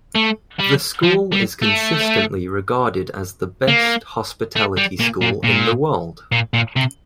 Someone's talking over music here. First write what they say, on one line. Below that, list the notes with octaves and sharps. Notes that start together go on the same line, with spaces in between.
The school is consistently regarded as the best hospitality school in the world.
A3
G3
F3
G3
A3
A#3
A3
G3
A#2
A#2
A#2
A#2
A#2
C3